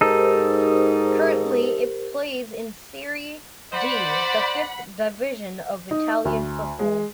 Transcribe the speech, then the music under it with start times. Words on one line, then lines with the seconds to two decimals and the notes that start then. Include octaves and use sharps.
Currently it plays in Serie D, the fifth division of Italian football.
0.01 G#2 D#4 G4 A4 A#4 C5
3.72 C5 D5 F#5 B5
5.91 D#4
6.25 D2
6.79 G#3